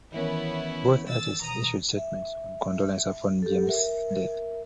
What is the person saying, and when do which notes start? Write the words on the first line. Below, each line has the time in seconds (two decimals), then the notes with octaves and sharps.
Both artists issued statements of condolence upon James's death.
0.12 D#3 E3 B3 C#4 E4 A#4
1.07 E6 A6
1.42 B2 A#5 D#6
1.97 E5
3.42 G4 A4
3.67 A#4 E5